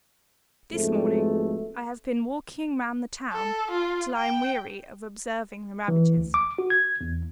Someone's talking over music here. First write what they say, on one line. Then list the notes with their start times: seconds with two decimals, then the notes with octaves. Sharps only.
This morning I have been walking round the town, till I am weary of observing the ravages.
0.72 F2 G#2 B2 A3
3.33 A4
3.71 F4
4.17 G5
5.88 E3
6.17 D2
6.34 D6
6.58 F#4
6.70 G#6
7.01 E2